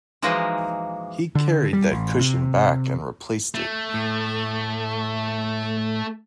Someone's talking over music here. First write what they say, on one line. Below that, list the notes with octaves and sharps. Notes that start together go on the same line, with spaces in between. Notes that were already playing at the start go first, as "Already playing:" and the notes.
He carried that cushion back and replaced it.
E3 F3 G#3 A#3 D#4 F#4
D3
G3
A1
C3
A3
A2